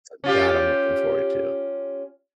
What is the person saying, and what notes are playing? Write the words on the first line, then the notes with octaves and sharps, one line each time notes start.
So, that I'm looking forward to.
C#4 F4 G4